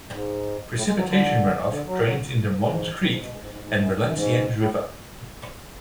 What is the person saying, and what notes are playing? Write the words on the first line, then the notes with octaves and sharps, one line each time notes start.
Precipitation runoff drains into Mons Creek and Valenciennes River.
G#2
A2
G#3
F#3
D3
D3
F#3
F#3
G#2
G#2
G#2
A2
G#2
B2
G#2
G#2
G#2
G#2
F#2
G#2
F#2
G#2
A2